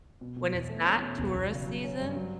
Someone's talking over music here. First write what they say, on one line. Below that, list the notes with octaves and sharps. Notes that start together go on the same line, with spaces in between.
when it's not tourist season,
B2
B2
E2
A3
C#4
B2
E1
E1
C#3
F#3
C#4
G2
F#3